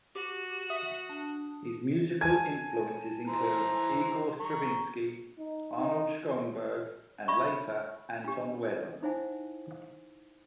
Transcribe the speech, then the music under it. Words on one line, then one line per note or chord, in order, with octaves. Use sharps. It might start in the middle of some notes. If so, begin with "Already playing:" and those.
His musical influences include Igor Stravinsky, Arnold Schoenberg, and later Anton Webern.
F#4 G4
E5 D#6
D4
G#5 A5 G#6
E3 C5 A#5
A#5 C#6
D#4
D#4
D5 E5 B5 C#6
D4 G4
D#4 E4 C5 E5 F#5 G#5